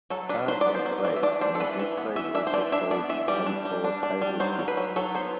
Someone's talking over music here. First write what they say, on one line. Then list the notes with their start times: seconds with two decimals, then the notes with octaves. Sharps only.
Hard or dried mizithra is also called "anthotyro xero".
0.10 F#3 A4
0.29 D4 B4
0.48 F#3 C5
0.61 D5
0.67 B3
0.75 C5
0.85 F#3
1.04 E3 D5
1.16 E5
1.23 D4 D5
1.41 D4 C5
1.55 A4
1.60 E3 B4
1.79 E3
1.97 B3
2.16 E3 E5
2.35 D4 E5
2.47 C5
2.54 E3 D5
2.72 D4 E5
2.91 B3 D5
3.09 E3 E5
3.28 G3 D5
3.46 D4
3.65 G3
3.84 D4
4.03 D4
4.22 G3
4.40 F#3 C5
4.59 F#3
4.68 B4
4.77 F#3
4.96 F#3 A4
5.15 B3 C5